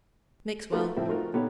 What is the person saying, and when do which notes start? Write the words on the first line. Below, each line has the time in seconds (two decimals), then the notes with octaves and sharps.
Mix well.
0.72 A3 D#4 F4 F#4 A4 B4
0.97 A2 F3 C4 E5
1.08 A3 D#4 F4 F#4 A#4
1.34 A#2 B3 D#4 G4 A4 C#5